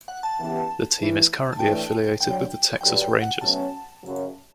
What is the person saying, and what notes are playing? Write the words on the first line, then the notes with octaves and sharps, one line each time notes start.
The team is currently affiliated with the Texas Rangers.
F#5
A5
C#3 E3 B3 E4 G4
A2 E3 A3 E4
A5
A2 E3 A3 D4 A4 G5
D2 D3 F#3 G5
G2 D3 F#3 G5
G5
F#5
B2 F#3 A3 C#4 A5
F#2 C#3 F#3